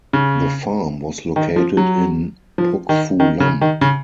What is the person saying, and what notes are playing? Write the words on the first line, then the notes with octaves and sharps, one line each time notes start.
The farm was located in Pok Fu Lam.
C#3
D#3
F3
F#3
F3
D#3
D#3
C#3
D#3
C#3